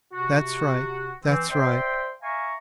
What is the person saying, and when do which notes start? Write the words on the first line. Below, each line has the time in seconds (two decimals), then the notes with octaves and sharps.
That's right, that's right.
0.13 C3 F#4
1.23 E3 C4
1.49 C5 D5 E5 G5 C6
2.21 E5 F5 G#5 A#5 C#6